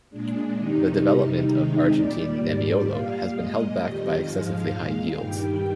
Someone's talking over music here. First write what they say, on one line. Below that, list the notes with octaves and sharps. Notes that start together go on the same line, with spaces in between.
The development of Argentine Nebbiolo has been held back by excessively high yields.
A#2 G#3 D4
C3 D#3 G3 D#4
C3 G3
C3 D#3 G#3 D#4
A#2 G3 D5
G#2 G3
A#2 G3 F5
A#2 G#3 D#5
F2 D#3 G3
G#2 F3 G#3 F5
A#2 G#3
G2 D#3 G3 G5